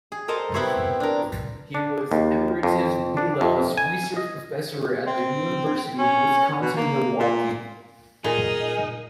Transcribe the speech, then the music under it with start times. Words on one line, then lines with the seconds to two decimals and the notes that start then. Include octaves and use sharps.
He was Emeritus Vilas Research Professor at the University of Wisconsin-Milwaukee.
0.12 G#4
0.28 A4 A#4 C5 D#5 A5
0.54 B3 C4 E4 G4 C5 C#5
1.00 D4 A#4
1.75 D4
2.12 D#2
2.63 F2
3.17 D4
3.41 F2
3.77 G#5
4.17 D#5
5.07 C4
5.98 C#4
6.61 B2
6.77 A#3
7.19 A#2
8.24 A#2 D#4 G#4 A#4